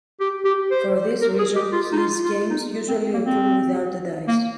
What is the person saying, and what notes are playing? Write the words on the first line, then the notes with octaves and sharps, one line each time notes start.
For this reason, his games usually occur without a dice.
G4
G4
C5
A#4
G#4
G4
F4
D#4
F4
F4
D#4
C4
A#3
C4
A#3